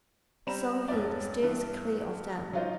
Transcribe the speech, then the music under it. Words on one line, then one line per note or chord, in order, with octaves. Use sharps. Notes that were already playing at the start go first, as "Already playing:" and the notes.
So he steers clear of them.
G3 C4 A#5 B5 E7
E1 G2 B3 D5
G2 E3
F#3 D#4 F4 C5 D#5